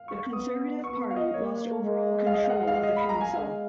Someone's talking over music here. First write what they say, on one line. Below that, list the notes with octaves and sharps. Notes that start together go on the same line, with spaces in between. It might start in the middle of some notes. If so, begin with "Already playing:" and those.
The Conservative Party lost overall control of the council.
Already playing: F5
C#6
B3 D#6
B3 C#6
F5
D#5
A#3 C#5
G#3
F5
D#5
F5
F#5
F5
D#5
B5
A#5
G#5
G#3 F5